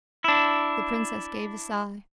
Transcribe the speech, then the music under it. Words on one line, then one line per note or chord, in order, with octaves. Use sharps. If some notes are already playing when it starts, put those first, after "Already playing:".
The princess gave a sigh.
D4 E4